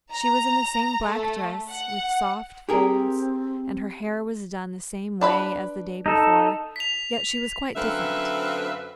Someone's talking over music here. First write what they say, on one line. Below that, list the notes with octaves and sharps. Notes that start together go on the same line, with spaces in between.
She was in the same black dress with soft folds and her hair was done the same way as the day before, yet she was quite different.
A#5
A3
F#5
C4 G4 G#4 A#4
D4 B4 B5
D#4 A4
B6 F7
F#2 D3 C4 B4 E5 F5